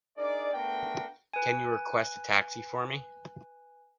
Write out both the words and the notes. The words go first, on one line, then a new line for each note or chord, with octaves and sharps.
Can you request a taxi for me?
D4 D#4 G#4 A#4 D5
A3 B3 D4 F#4 A#4 G5
B4 G#5